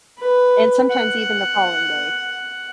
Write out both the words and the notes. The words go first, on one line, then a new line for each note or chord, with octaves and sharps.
and sometimes even the following day.
B4
F#5